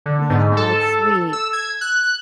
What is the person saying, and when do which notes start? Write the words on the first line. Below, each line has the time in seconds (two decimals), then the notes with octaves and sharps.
Yeah, it's sweet.
0.06 D3
0.30 G#2
0.57 A4
1.33 E6
1.53 G#6
1.81 F#6